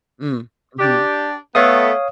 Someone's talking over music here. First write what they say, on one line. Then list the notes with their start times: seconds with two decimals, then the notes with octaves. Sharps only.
Mm, mhm.
0.79 D4 G4
1.55 A3 B3 C#5 F5 D#6